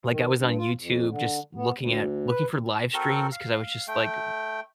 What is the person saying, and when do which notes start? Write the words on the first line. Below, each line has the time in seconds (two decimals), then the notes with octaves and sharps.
Like, I was on YouTube just looking at looking for livestreams 'cause I was just, like,
0.10 D#3
0.36 G2
0.58 F4
0.78 F2
1.08 D3
1.55 B3
1.77 D2
2.28 B4
2.94 C4 F#4 A4 A#4
3.32 F5
3.88 A3 G5